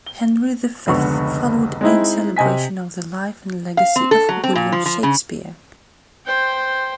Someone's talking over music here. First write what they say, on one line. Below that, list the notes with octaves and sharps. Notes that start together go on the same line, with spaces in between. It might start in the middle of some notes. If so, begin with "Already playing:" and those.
"Henry the Fifth" followed in celebration of the life and legacy of William Shakespeare.
G7
F1 C#2 D3 B3 C#6
G#3 C4 D#4 E4
C3 D#5 G#5 B6
F5
C4
A4
F#3
C4
A#2
F3
F3
C#3
C5 G5